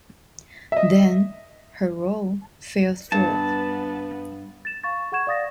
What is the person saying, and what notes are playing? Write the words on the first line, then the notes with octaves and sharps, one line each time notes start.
Then, her role fell through.
D#5 E5
G2 B3 A5
A6 E7
F5 C#6 A6
G#4 F#5 C#6 G#6 E7
D5 F5 D#6 A6 A#6